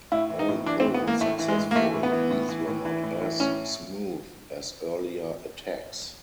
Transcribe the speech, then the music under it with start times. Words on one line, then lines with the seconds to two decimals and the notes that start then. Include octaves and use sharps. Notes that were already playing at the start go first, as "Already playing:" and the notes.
Although successful, these were not as smooth as earlier attacks.
0.12 A2 E4
0.30 E3
0.39 D#4
0.48 A2
0.66 E3 D4
0.80 C4
0.85 A2
0.94 B3
1.02 E3 A#3
1.21 A2 A3
1.39 E3
1.48 G#3
1.57 A2
1.71 A#3
1.76 E3 A3
1.94 A2
2.03 B3
2.12 E3
2.31 A2
2.49 E3
2.67 A2
2.85 E3
3.03 A2
3.22 E3
3.40 A2 C#4